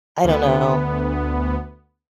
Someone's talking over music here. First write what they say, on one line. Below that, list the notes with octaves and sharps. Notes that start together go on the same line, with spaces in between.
I don't know.
D2 B3